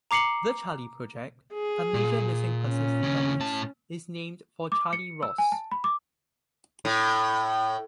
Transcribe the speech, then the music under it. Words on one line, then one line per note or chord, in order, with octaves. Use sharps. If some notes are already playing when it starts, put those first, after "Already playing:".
The Charley Project, a major missing persons database, is named for Charley Ross.
A#5 D6 C7 C#7 F#7
G#4
A#2
C#4
D#2 C#3
A2 A5
D6
C#7
E6
G#5
A5
B5
D6
A2